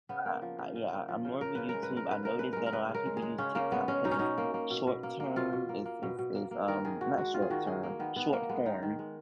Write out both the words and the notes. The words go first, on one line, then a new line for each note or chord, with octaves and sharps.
uh uh Yeah, I'm more of a YouTube I noticed that a lotta people use TikTok because it's short-term, it's it's it's, um not short-term, short-form,
C#3 B3
A#3
F3
C#3
C#3
A#3
F3
C#3
C#3 A#4
C#3 B4
A#4
G#3
B4
G#3
A#4
C#3 B4
C#3 A#4
G#3 B4
G#3 A#4
A#4
C#3 B4
C#3
A#4
G#3
G#4
G#3
C#3 C#4
C#3 A#3
G#3 B3
G#3 C#4
B2 D#4
C#4
B2 D#4
A#3
A#3
B2
B2
A#3
A#3
B2 F4
B2
A#3
A#3
B2
B2
A#3
A#3
D#3 A#4
D#3 G#4
G#3 F#4
G#3 F#4
D#3 F4
G#4
D#3 F#4
G#3 G#4
G#3 A#3
D#3 B3
D#3 B3
G#3 A#3
G#3 B3
D#3 D#4
D#3
G#3